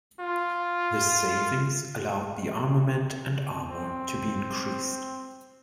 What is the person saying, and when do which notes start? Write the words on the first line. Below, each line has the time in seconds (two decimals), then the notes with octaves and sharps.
This savings allowed the armament and armor to be increased.
0.20 F4
3.69 C4